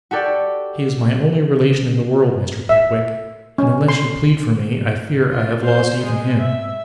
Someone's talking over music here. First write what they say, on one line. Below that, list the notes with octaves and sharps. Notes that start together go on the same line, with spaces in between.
He is my only relation in the world, Mr. Pickwick, and unless you plead for me, I fear I have lost even him.
F#4 G4 A4 D5
E5
C#4
C6
F4
C5
G#3
E5